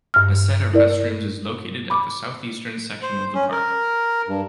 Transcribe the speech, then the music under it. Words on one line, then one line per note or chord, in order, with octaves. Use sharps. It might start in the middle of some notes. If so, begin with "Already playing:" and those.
A set of restrooms is located at the southeastern section of the park.
G2 F6
E4 A#4 D5
B5 D6
C5
C#4
A#4
G2